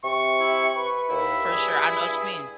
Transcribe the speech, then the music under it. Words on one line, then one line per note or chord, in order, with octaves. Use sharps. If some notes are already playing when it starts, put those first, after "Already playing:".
For sure. I know whatcha mean.
C3 C#6
E4
B4
D#2 E4
G2 G#4